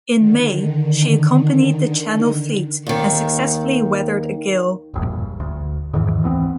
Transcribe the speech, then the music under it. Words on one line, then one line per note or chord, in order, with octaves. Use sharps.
In May, she accompanied the Channel fleet and successfully weathered a gale.
D3 D#3
D#2 D#3
E1 A#1 G2
D2
E2 G#2 D#3 E3
C#2 E3 B3 C4